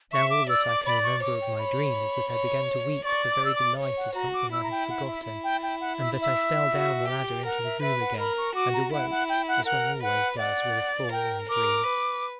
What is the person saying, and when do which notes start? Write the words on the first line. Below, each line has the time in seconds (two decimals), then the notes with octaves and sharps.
Now all that I can remember of my dream is that I began to weep for very delight of something I have forgotten, and that I fell down the ladder into the room again and awoke, as one always does with a fall in a dream.
0.13 E5 C#6
0.30 D6
0.49 D5 E6
0.68 D6
0.86 D5 B5
1.04 C#6
1.22 C#5 D6
1.41 G5
1.59 B5
2.32 C#5
3.05 D5 C#6
3.30 D6
3.42 D5 E6
3.55 D6
3.79 C#5
3.97 F#5
4.15 F#4 A#5
4.34 D6
4.53 E4 E6
4.63 A#5
4.71 G5
4.90 F#5
5.07 E5
5.26 E4
5.44 G5
5.63 G5
5.81 F#5
5.99 E5
6.21 E5
6.73 F#4
7.08 G4
7.45 A#4 F#5
7.64 E5
7.82 B4 E5
8.01 F#5
8.20 A#4 B5
8.38 C#6
8.55 F#4 D6
8.74 A#5
8.93 E4 F#5
9.11 F#5
9.29 G5
9.48 F#5
9.66 A#4 F#5
10.03 B4 F#5
10.39 D5 F#5
11.12 A#4 G5
11.49 A#4 D6
11.86 B4